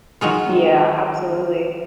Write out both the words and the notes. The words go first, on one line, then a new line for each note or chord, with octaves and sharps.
Yeah, absolutely.
D#3 F#3 G#3 F4